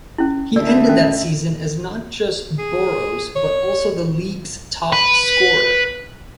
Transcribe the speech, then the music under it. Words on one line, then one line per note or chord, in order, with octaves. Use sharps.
He ended that season as not just 'Boro's but also the League's top scorer.
C#4 E4
D2 D5 E5 E6
C#4
G#4
C#5
B4